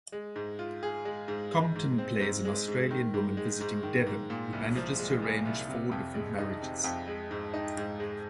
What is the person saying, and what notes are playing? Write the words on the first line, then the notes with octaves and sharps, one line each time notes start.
Compton plays an Australian woman visiting Devon who manages to arrange four different marriages.
G#3
G#2
F4
G#4
G#3
G#2
G#3
G#2
C4
G#2
G#3
G#2
D#3
G#2
G#3
G#2
D#3
G#2
A#2
C2
F3
G#3
A#2
C2
C3
F2
G#3
D#4
C3
F2
G#3
G#2
D#4
G#2
G#3